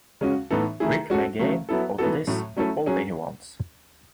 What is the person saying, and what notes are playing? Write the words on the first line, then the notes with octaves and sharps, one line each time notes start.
Rick may gain, out of this, the quality he wants.
C#3 G#3 C#4 F#4
A2 E3 B3 D#4 A4
D#3 A3 E4 G#4
G#3 C#4 F#4 A4
C#3 F#3 A3
F#3 B3 E4 A4
E3 B3 D#4 F#4 A4
A2 F#3 A3
F#3 A3 C#4 E4 A4
F#3 C#4 G#4